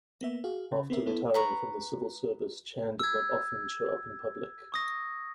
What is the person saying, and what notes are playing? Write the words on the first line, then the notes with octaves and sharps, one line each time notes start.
After retiring from the civil service, Chan did not often show up in public.
A#3 B3 E5
F#4 G#4 F5
C#3
B3 C4 A#4 E5
B3 E4 A4
B4 A#5 C#6
E6 G#6
C#6 D#6 A#6